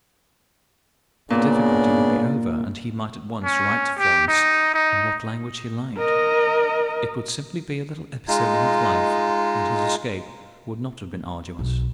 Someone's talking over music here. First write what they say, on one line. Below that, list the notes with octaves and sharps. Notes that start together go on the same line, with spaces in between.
The difficulty would be over, and he might at once write to Florence in what language he liked. It would simply be a little episode in his life, and his escape would not have been arduous.
A#2 C#3 B3 D4
C#4
G4
D#4
D#4
A#4 D#5
G#3 D#4 F4
B1